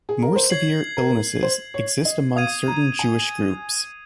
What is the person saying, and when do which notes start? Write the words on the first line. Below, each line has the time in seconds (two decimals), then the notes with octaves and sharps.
More severe illnesses exist among certain Jewish groups.
0.09 G#4
0.22 A#4
0.36 C5
0.50 C#5 G#6 C7 F#7
0.97 A#4
1.43 C5
1.74 C#5
2.05 D#5
2.36 F5 D#6 G#6 D#7
2.68 A#5
2.99 G#5